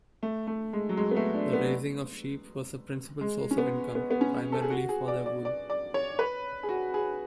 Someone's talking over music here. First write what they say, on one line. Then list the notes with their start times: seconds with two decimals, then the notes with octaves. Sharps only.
The raising of sheep was a principal source of income, primarily for their wool.
0.23 A3
0.47 A3
0.73 G#3
0.89 F#3
0.97 G#3
1.11 B3
1.16 A3
1.34 D4
1.53 B3
3.21 G#3
3.51 C#4
3.58 B3
3.95 B3
4.11 B3
4.21 C#4
4.52 A4
4.62 G#4
4.70 F#4
4.89 G#4
5.08 D5
5.26 D5
5.45 D5
5.70 D5
5.94 C#5
6.19 B4
6.63 G#4
6.69 F#4
6.94 G#4